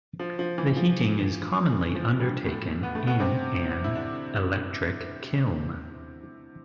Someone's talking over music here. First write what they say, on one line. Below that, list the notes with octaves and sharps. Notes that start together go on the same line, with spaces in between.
The heating is commonly undertaken in an electric kiln.
F3
F3
E3
F3
E3
F3
G2 G3
A2 A3
B3
A3
B2 B3
C3 C4
E4
D3 D4